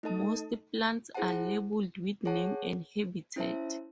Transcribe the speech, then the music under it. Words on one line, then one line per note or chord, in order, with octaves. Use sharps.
Most plants are labeled with name and habitat.
A3 D#4 A4 D#5 A5
E4 G#4 C5 F#5 A5
G#4 C#5 F#5 A5
C#4 E4 C5 E5 A5